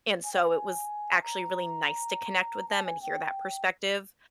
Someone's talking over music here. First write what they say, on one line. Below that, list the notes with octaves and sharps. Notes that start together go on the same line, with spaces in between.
and so it was actually really nice to connect with them and hear that perspective
G#5
G5
G#5
A#5
A5
G#5
G5